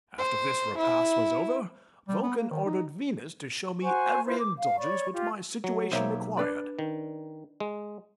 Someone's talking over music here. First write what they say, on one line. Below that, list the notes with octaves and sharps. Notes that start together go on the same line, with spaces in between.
After this repast was over Vulcan ordered Venus to show me every indulgence which my situation required.
C5
E4
G3
B3
A#3
D#3
D#4
F#4 C5 G#5 C#6
E4 F4 B4 C5
D6
F5
C#5 D5 B5 C#6
F4 G4
F#3
B1 A#3 C5 C#5 E5
D4 B4 D5
D#3
G#3